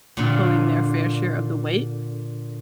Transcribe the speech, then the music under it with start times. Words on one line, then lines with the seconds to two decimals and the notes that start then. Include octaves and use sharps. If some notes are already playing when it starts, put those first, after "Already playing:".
pulling their fair share of the weight
0.17 A#2 D3